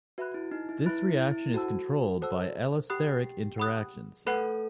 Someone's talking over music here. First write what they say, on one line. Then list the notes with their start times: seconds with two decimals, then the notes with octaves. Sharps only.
This reaction is controlled by allosteric interactions.
0.18 F#4 B4 E5 B5 F#6
0.34 E4
0.51 D#4
0.69 E4
0.86 E4 B4 E5 B5 F#6
1.09 E4
1.32 E4
1.54 F#4 A4 C5 F#5 A5 E6
2.22 A4 C5 F#5 A5 E6
2.90 G4 F#5 B5 D#6 F#6
3.58 F#5 B5 D#6 F#6
4.26 A3 A4 B4 F#5 B5 F#6